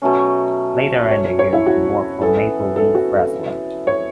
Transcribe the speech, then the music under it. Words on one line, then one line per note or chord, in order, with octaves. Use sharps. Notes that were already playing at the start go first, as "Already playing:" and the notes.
Later in the year, he worked for Maple Leaf Wrestling.
B2 F#3 A3 C#4
C#5
C#5
E4
F#4
E3 B3 E4 A4
A4
F#4
A4
C#5